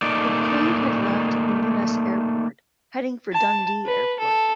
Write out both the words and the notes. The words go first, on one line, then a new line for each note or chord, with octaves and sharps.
The 'plane had left Inverness airport heading for Dundee airport.
A3 A#3 D#4 D5
A5
B4
A4